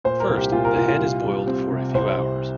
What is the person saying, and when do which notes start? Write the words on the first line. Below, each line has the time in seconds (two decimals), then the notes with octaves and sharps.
First, the head is boiled for a few hours.
0.04 A#2 C5
0.20 A#4
0.29 C2
0.37 G4
0.52 A#2 F4
0.65 A#4
0.76 C2 F4
0.88 F4
0.99 G3 F4
1.24 G3
1.47 C4
1.71 C3
1.94 C2 C5
2.18 C3